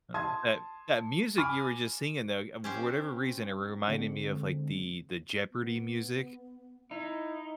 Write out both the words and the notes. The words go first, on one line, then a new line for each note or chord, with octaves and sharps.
I know. That that music you were just singing, though, you um, for whatever reason, it re reminded me of, like, the the Jeopardy music.
A5 C6 D#6 G#6
G#5 B5 D6 F6
C#4 G4 C5
D3 G#3 C4
B3
D#4 E4